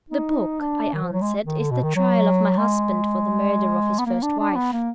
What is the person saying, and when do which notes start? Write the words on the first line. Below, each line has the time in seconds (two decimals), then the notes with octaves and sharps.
"The book," I answered, "is the Trial of my husband for the murder of his first wife."
0.10 D#4
0.60 D4
0.93 D#3
1.03 F3
1.12 F#3
1.21 G#3
1.46 D#3
1.59 D3
1.71 B2
1.84 D#3
1.96 F#3
2.58 G#3
3.99 B3
4.06 A#3
4.23 D4
4.39 D4
4.56 B3
4.73 A#3